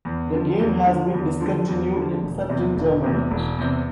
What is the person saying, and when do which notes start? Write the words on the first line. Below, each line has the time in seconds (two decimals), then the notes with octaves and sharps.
The game has been discontinued except in Germany.
0.05 E2
0.32 D3 F3
0.59 E2
0.86 D3 F3
1.14 E2
1.41 D3 F3
1.68 E2
1.95 D3 F3
2.23 E1
2.50 E2 C3
2.77 E1
3.04 E2 C3
3.31 E1
3.58 E2 C3